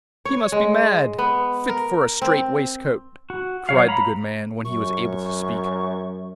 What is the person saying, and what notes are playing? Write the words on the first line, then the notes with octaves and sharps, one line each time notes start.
He must be mad! fit for a strait waistcoat!' cried the good man, when he was able to speak.
C#5
G#3
B3
A#4
C4
F#4
F#3 C#5 F5
A#5 B5
F#2 C#6